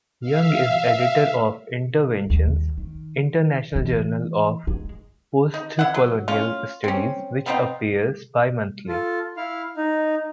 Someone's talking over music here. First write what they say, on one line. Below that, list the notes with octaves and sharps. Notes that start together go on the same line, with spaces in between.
Young is Editor of "Interventions: International Journal of Postcolonial Studies" which appears bimonthly.
E5 F5
D#2
D#3
E3
G#3
D#4
E4 F#5
F#3
C#4 F4
C4 C#4
F3 B3 C4 D#4
F4 A4
E4 F5
D#4